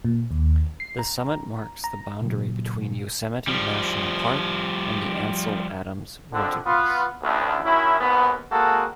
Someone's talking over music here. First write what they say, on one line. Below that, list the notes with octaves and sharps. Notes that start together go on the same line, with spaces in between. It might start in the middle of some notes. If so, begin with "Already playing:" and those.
The summit marks the boundary between Yosemite National Park and the Ansel Adams Wilderness.
A#2
D#2
C7
A#5
A#5
A#2 C#3 F#3
F3 G3
F2 D3
B3 F4
A1 D2
D#3 F#3 C#4 E4
D#2 G#2 B3
G#3 A#3 C4 F#4 A4